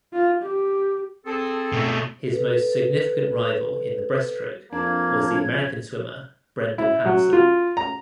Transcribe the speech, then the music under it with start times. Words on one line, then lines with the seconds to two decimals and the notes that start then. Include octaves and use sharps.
His most significant rival in the breaststroke was the American swimmer Brendan Hansen.
0.13 F4
0.42 G4
1.26 C4 G#4 A4
1.73 B2 A3
2.29 A4 B4
4.73 F2 A#3 D4 G#6
6.78 E4
7.05 F#3
7.33 F4
7.77 A#5